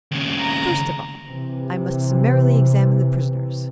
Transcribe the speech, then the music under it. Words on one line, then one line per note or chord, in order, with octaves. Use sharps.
First of all, I must summarily examine the prisoners.
D#2 C#3
A#5
C3 E3